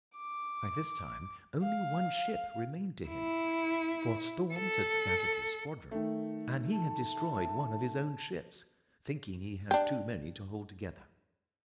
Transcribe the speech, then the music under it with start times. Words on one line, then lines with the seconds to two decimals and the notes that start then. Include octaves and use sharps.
By this time only one ship remained to him, for storms had scattered his squadron and he had destroyed one of his own ships, thinking he had too many to hold together.
0.16 D6
1.62 F5
3.08 E4
4.54 A4
5.91 D#3 A3
6.71 A5
9.71 D4 G4